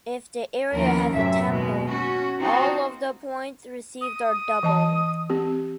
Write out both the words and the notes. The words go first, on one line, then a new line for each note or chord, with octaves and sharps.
If the area has a temple, all of the points received are doubled.
D#2 E3 F3 C#4 A#4
F#2 A2 C3 E5
D#2 B2 G#3
C#4 F#4
C4 D#4 F4 F#4 C5
D#6
E3 D#5 A5
C4 G4